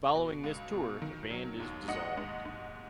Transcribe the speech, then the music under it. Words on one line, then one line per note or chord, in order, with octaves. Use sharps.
Following this tour, the band dissolved.
B2
C#2
B2
D#3
F#3
D#2
G#2 D#5 F#5
G#2
G#2